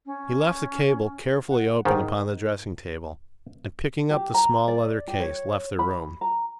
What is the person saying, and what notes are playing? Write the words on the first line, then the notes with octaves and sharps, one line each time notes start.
He left the cable carefully open upon the dressing-table, and, picking up the small leather case, left the room.
C#4
F#5
G#2 D#3
G4
A#5
D5
G4
C#5
B5
A#5